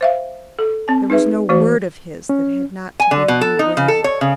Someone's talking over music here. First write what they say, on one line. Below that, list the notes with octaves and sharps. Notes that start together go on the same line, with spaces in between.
There was no word of his that had not to be re-weighed.
C5 E5 F5
A4
C4 A5
D#4 G#4 B4 E5
E3 A3 F#4 C5
C#4
G#5
D3
B2
A4
D#4
C#3
A4
C#5
C#3